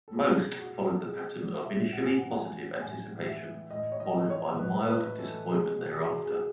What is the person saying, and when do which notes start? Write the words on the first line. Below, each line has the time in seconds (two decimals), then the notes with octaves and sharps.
Most followed the pattern of initially positive anticipation, followed by mild disappointment thereafter.
0.08 A4
0.15 B2 G#4
0.45 B2
0.59 F#4
0.74 B2
1.04 B2 G#4
1.33 B2
1.63 B2 E5
1.93 A2 F#5
2.06 G#5
2.18 F#5
2.23 E3
2.30 F#5
2.37 G#5
2.52 E3
2.82 A2 G#5
3.12 A2
3.27 E5
3.42 E3
3.71 A2 D#5
3.92 C#5
4.00 E3 D#5
4.29 E3 C#5
4.59 A2 B4
4.89 A2 B4
5.19 E3 A4
5.49 B2 G#4
5.78 B2
5.93 G#4
6.08 B2
6.25 G#4